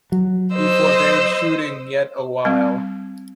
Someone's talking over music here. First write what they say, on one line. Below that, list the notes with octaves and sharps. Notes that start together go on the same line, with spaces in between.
He forbade shooting yet awhile.
F#3
C5 D#5 E6
G3 C4